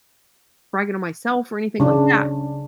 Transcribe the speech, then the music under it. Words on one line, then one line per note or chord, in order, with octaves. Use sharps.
bragging on myself or anything like that,
C#3 D4